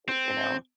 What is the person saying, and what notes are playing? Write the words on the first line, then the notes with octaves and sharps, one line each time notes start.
Y you know?
C4